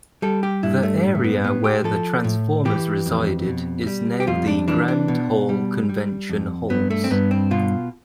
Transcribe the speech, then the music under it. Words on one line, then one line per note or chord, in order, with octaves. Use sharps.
The area where the transformers resided is now the Grand Hall convention halls.
G3 A4
G4
G2 E4
A3
A2
A3
B3
A2 B3
G4
F3 A4
A2
E3 G4
F2
B2
G3
G4
F2 F4
D4
E3 D4
D4
B2
G3
G3
F2
G2 B3
A3
C4
G2 B3
C4
B2 F4